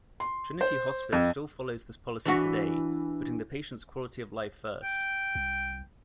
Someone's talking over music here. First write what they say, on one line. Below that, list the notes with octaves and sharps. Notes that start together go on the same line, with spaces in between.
Trinity Hospice still follows this policy today, putting the patient's quality of life first.
C6
C5
F2
E3 D4 F#4
G5
C2